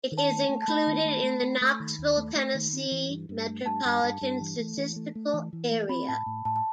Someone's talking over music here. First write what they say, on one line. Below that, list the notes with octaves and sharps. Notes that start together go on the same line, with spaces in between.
It is included in the Knoxville, Tennessee Metropolitan Statistical Area.
D#3
A5
A3
A3
A5
A3 B5
D#3
A3
A3
A3
A3
D#3
D#2
A3
A3
D#3
C4
E3
G2
G2
A3
G2 A5
G2
G2
G2
E3
A3
E3
A3
A3
E3
E3
A3
C4 B5
A2 A5
A2
A2 A5
A5